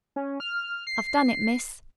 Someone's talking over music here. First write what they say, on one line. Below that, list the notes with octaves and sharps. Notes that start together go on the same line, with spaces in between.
'I've done it, miss.
C#4
F6
C7